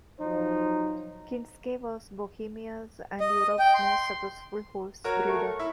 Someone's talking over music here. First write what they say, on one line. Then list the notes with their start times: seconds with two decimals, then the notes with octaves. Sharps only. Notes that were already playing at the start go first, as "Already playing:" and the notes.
Kinsky was Bohemia's and Europe's most successful horse breeder.
0.20 F3 F#3 D#4 C5
3.20 D#5
3.59 G5
3.74 C6
5.04 F#4 A#4 C#5
5.28 A3 C#6
5.59 E4